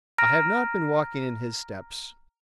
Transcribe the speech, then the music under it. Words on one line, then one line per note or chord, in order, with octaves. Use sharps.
I have not been walking in His steps.
A#5 F6 A#6 D7